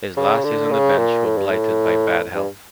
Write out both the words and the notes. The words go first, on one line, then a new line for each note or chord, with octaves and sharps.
His last years on the bench were blighted by bad health.
C#3
D3
C#3
A#2
A2
G2
A2
G2